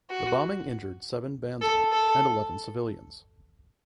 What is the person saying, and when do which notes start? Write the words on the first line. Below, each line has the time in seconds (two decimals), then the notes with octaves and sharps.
The bombing injured seven bandsmen and eleven civilians.
0.10 F#4
1.61 A4
1.92 A4